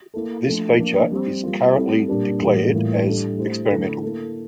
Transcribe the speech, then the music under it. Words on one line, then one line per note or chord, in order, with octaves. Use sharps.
This feature is currently declared as "experimental".
A#3 E4 A4
F3 A3 D4
F3 A#3 D4
G3 C4 G4 C5
G3 A#3 F4
G3 C4 E4 A4
A#2 G3 D4 G4 A#4
A2 E3 G3 A#3
A2 E3 G3 A#3 F4
G3 D4 A4
A3 E4 G4 C5
D3 A3 E4 A4
A#3 E4 A4